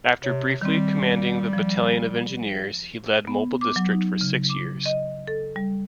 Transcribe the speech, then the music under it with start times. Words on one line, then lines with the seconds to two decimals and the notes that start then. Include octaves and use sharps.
After briefly commanding the Battalion of Engineers, he led Mobile District for six years.
0.24 C3 C#5
0.61 D#3 G3 C4
1.53 F3
3.27 B3
3.61 D6
3.76 F#3
3.92 D#4
4.21 C#3
4.50 D6
4.86 D#5
5.27 A4
5.56 G3